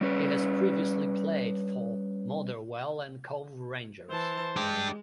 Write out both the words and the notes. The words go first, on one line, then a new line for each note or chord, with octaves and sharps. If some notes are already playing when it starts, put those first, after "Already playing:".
He has previously played for Motherwell and Cove Rangers.
G3 C#4 B4
E3 C5 A5
G#3 D4 G4